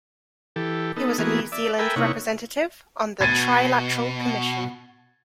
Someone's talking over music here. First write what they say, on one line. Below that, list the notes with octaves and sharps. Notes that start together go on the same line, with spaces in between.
He was a New Zealand Representative on the Trilateral Commission.
E3 G4 A4
B3 D#4 A4
E3 A#3 B3 F#4 G#4
D5 E5
A4 A#4 E5 G5 G#5 B5
C3 A#3 D#4 E4 C#5 F#5
B2 G#6 A6 D#7